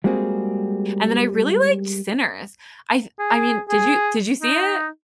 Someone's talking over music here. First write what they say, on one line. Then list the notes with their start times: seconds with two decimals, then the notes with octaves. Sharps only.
And then I really liked Sinners, I th I mean, did you did you see it?
0.04 G3 G#3 A#3 C4 F#4 G#4
3.19 G#4
3.69 G#4
4.42 D#4